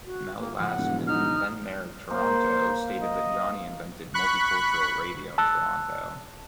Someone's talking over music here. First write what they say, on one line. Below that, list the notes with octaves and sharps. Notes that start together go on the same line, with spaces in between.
Mel Lastman, then mayor of Toronto, stated that "Johnny invented multicultural radio in Toronto".
F#4
A#3
A2 C#3 F3 F#5
E1
D#4 F6
A#3 A#4 C5
D#5
B5 C#6 F#6
A5 E6 F#6